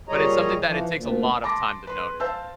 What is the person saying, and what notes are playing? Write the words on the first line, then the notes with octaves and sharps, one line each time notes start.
But it's something that it takes a lot of time to notice.
A#2 G3 G#4 C#5 D#5 A#5
E3 F3
D2 A#2
A5 B5 C6 D6 A#6
B4 C6
C5 F5 A5 E6 G6